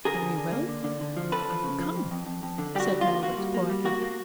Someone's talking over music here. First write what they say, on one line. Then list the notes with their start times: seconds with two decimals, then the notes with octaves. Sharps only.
'Very well, I will come,' said Margaret, quietly.
0.05 D3 G#4 A#4
0.22 D3
0.37 D3
0.52 A#3
0.68 D3
0.84 D3
1.01 D3
1.17 F3
1.32 F2 A4 B4
1.48 F3
1.63 C#3
1.79 F3
1.96 F2
2.11 F2
2.27 F2
2.43 F2
2.58 D3
2.75 G3 G4
2.80 F#4
2.91 D3
3.01 F4
3.07 A#3
3.23 A#3 F#4
3.37 G3
3.54 A#3
3.70 G3
3.85 A#3 F#4
4.02 A#3